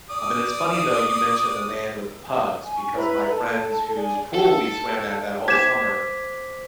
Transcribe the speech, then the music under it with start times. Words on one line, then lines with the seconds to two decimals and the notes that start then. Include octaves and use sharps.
I mean, it's funny, though, you mentioned the man with the pugs because my friends whose pool we swam at that whole summer,
0.10 D5 D#6
2.63 G#5
2.76 G#5 C#6
2.95 E4 B4 A#5 B5
3.31 A4
3.95 G#4 D5 G#5
4.35 A4
5.48 C5 D6 G#6 B6 E7